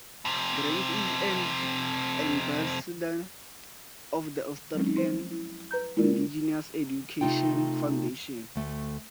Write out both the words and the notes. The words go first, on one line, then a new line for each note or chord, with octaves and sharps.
Grant is an ambassador of the Australian Indigenous Education Foundation.
F2 C3
F#3 G#3 C4 C#4
F3 C5 C6
E4
B4 A#5 G6
G#3 A#3 E4 F4 A#4 D5
C3 A3 D#4 F4 G5
D2 A3